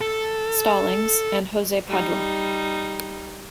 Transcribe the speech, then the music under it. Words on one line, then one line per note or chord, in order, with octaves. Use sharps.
Stallings, and Jose Padua.
A4
G3 D#4